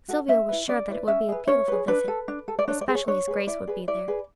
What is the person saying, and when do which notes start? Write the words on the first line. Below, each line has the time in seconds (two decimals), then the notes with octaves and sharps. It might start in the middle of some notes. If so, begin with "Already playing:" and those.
Sylvia was sure that it would be a beautiful visit, especially as Grace would be there.
0.08 F#4 A4
0.28 C#4 E5
0.49 E4 B4
0.68 C#4 D5
0.88 E4 B4
1.08 C#4 E5
1.29 G#4 B4
1.48 C#4 C#5
1.68 G#4 B4
1.88 D4 B4
2.08 A4
2.28 D4
2.48 A4
2.59 D5
2.68 D4 C#5
2.81 D5
2.88 G#4 B4
2.95 C#5
3.07 D4 C#5
3.28 G#4 B4
3.47 E4 D5
3.67 G#4 B4
3.88 E4 D5
4.08 G#4 B4